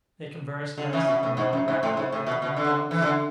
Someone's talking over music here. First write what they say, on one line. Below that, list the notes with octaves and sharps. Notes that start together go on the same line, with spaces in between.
They conversed less, and were more wrapt in their own thoughts.
D3
C#3 E3
B2
A2
G#2
F#2
G#2
A2
G#2
A2
B2
B2
D3
E3
D3